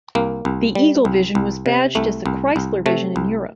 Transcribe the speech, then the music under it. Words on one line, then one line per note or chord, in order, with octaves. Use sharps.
The Eagle Vision was badged as the Chrysler Vision in Europe.
C2 A#3
C2
G3
C2
C2
C3
C2 A3
C2
C2
C3 A3
C2